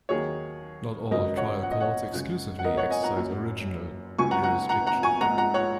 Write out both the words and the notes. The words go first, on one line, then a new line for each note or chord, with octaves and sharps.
Not all "trial courts" exclusively exercise original jurisdiction.
D#2 D#3 F#3 G#4 C#5
G#1 F#2 C#3 F#3 A#4 D#5
C#5 F#5
F#5
D#5
C#5 F#5
F#2 C#3 G#3
F#5
A#4 D#5
C#5 F#5
D#5 G#5
F#5 A#5
F#1 F#2 F#3
C#2 C#3 F#3 G#5 C#6
F#5 A#5
F#5 A#5
F#5 A#5
F#5 A#5
G#5 C#6
A#1 G#2 G#3 F#5 A#5
F#5 A#5
C#5 F#5